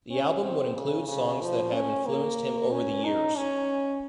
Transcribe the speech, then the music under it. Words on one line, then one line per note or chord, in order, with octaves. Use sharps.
The album would include songs that have influenced him over the years.
C#4
C4
C#3
C#3
F3
C#4
A#3
C#4
D#4
C#4